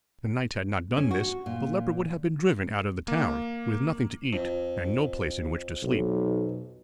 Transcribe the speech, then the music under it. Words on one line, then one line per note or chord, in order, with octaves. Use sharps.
If the knight had not done this, the leper would have been driven out of the town, with nothing to eat and no place in which to sleep.
C#4
F#4
A#2
A#3
F2
B1